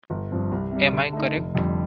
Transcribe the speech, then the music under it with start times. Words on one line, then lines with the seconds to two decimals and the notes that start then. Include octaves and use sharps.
Am I correct?
0.10 G1
0.31 G2 F3 C4
0.52 C2
0.71 C3 G3
0.92 D3
1.13 A3 D#4
1.35 F1
1.55 F2 D3 G3